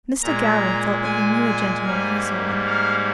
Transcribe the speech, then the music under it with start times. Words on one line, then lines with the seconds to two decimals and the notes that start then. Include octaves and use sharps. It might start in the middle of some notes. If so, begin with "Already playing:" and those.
Mr. Gowran thought that he knew a gentleman when he saw one.
0.23 A#2 G#3 A#5
1.04 G#5
1.85 G#2 G3 A#3
2.67 F5